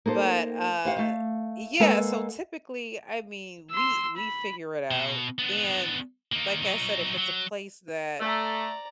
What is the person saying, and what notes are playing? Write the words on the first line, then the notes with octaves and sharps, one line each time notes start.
But, uh, yeah, so typically I mean we we figure it out and, like I said, if it's a place that
A#3 D#4 A4 C5
C5 F5 F#5
A3 F5
G#3 A#3 A4 B4 F#5 G#5
C6 E6
B5
B2
B3 D4
A#3 D#4
F#3 D#4
F#3
A3 D5 A#5